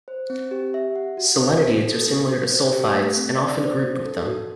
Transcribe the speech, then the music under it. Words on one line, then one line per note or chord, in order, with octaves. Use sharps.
Selenides are similar to sulfides and often grouped with them.
C5
C4
G4
E5
F#5
F#4
C5
F#4
A4
B3
F#4
C5
G4
A3
C4
D5
C5
F#4
A4
F#4